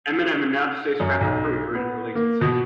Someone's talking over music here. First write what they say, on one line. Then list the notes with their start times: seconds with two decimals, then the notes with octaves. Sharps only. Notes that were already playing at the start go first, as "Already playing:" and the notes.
Eminem and now deceased rapper Proof are in a deleted scene.
1.00 F#2
1.21 B1
1.75 B3
2.15 A#3
2.41 B2